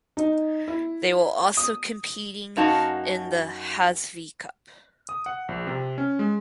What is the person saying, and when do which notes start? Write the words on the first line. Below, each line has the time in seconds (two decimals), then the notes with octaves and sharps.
They will also competing in the Hazfi Cup.
0.17 D#4
0.68 E4
1.57 D#6
2.57 F#2 A#3 D#4 F#4 A5
5.09 D#6
5.26 F#5
5.48 A#1
5.67 C3
5.98 C#4
6.19 G#3